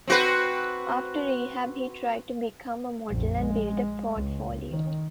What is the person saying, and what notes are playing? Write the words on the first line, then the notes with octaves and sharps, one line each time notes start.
After rehab, he tried to become a model and built a portfolio.
C4 F#4 B4
A#1 F2
G#3
C#2
D#3